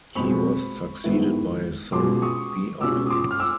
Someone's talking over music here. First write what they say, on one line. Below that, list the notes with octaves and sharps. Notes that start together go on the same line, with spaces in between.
He was succeeded by his son Beop.
B2 G#3 C4 B5 C#6
G#2 D#3 G#3 B3 E4
B2 G#3 C#4 F4 C6 D6
C#6 D#6
C#2 B2 G#3 C#4 F4 D6 E6
D#6
C6 D6
F6
D6 E6